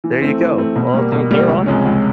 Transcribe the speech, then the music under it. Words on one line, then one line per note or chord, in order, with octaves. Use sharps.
There you go. Well, they're they're on it.
E3
A3 C4
E3
A3 C4
B2
G3 A#3
B2
G3 A#3
C#2
C3 F3 G#3 C#4
C#2